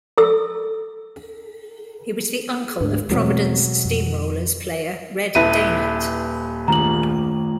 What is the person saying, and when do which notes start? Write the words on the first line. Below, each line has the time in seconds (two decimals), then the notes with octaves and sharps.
He was the uncle of Providence Steamrollers player Red Dehnert.
0.18 A4 E6
2.81 D2 G#2 D4
3.10 E2 B2 F#3 G#3 A3 C4
3.85 F2
5.35 D#1 E4 B4 E5 A5 D#7
6.68 D#3 A3 F4 A#5 F#7